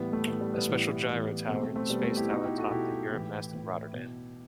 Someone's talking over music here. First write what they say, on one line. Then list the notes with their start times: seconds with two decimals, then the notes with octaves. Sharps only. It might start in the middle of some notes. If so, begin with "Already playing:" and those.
A special gyro tower is the Space Tower atop the Euromast in Rotterdam.
Already playing: A2 E3 G3 B3
0.13 A3
0.27 A2 E3 A3
0.41 G3
0.54 G3 B3
0.67 A2 E3
1.08 A2 E3
1.49 B2 A3 C4
1.63 A3 C4
1.76 A3 C4
1.90 B2 G3 B3
2.03 A3
2.17 E4 G4
2.30 B2 D#4 F#4
2.44 E4 G4
2.58 F#4 A4
2.71 B2 E4 G4
3.12 A2 E3
3.53 A2 E3
3.93 B2